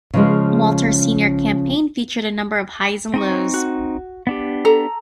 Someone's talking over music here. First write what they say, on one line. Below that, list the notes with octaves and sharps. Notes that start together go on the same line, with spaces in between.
Walter's senior campaign featured a number of highs and lows.
C#3 F3 G#3
C4 D#4 C#6
F#4
B3 D4 G4
A4 A#5